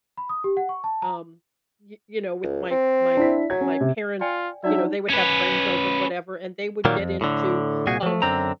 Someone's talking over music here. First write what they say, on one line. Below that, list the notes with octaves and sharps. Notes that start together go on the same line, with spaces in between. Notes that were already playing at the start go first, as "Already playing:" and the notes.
um, y you know, with my my my parents, you know, they would have friends over, whatever, and they would get into, um,
B5
D#6
G4
F#5
C#6
A5
A#5
C#2
C4
D4 E4 B6
F#3 G#6
C#4
C3
F4 D5 G5 G#5
F#3 D4 D#4 D5 E5
C#4 B4
A#2 D#3 F#3 G3 A#3
F2
A2 D3
C2 A#2 F#4 G#4 G#5
F3 A3
F#2 D3 C4 A#5